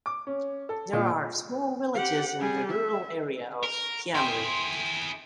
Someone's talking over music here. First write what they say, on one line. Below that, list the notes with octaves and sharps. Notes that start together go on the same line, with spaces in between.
There are small villages in the rural area of Kiamari.
D6
C#4
A4
A#2
G4 F#5
G3 G#4
E5
A#4
E4 G#4 G5 C6